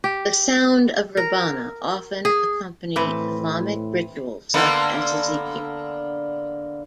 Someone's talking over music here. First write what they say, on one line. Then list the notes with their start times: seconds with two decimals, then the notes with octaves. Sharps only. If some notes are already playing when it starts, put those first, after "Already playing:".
The sound of Rebana often accompany Islamic ritual such as the zikir.
0.04 G4
1.17 A#4
2.25 G#4
2.96 A2 E3 C4 B4
4.54 D3 A#3 B3